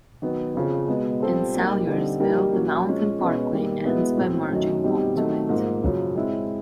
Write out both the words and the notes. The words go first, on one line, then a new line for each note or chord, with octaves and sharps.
In Salyersville, the Mountain Parkway ends by merging onto it.
D#3 F#3 B3
F2 C#3 F3
B2 G#3 B3
G3 C4 F4 A4 C5
G3 A#3 D#4
D3 G3 C4 D#4
G3 A#3 D#4 G4 A#4
F#3 A#3 C#4
F3 G#3 C#4
B2 G#3 C#4 F#4 B4
D#3 G3 A#3
B2 G#3 B3 E4
A2 F#3 A3 C4
F#2 D#3 F#3 A3 C#4
B2 G3 C4 D#4 G4
D#3 F#3 A3 C4 D#4
G#2 F3 A#3
F#2 C#3 F3
G#3 C4 E4